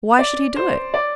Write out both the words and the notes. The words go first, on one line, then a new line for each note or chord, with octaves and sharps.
Why should he do it?
D5
C5
D5